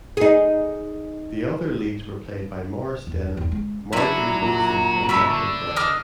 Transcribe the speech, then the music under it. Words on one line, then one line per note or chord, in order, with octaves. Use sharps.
The other leads were played by Maurice Denham, Margery Mason and Michael Bryant.
D#4 G#4
E2
E2
G#3 C#4
F#3 D4 E4 F#4 A#5
A#2
C#3 G#3 A3 E5 B5
D3
D#4 D6 F6